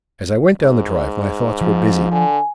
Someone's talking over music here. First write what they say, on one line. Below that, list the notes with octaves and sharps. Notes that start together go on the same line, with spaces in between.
As I went down the drive, my thoughts were busy.
G#2
F3
D3 G#5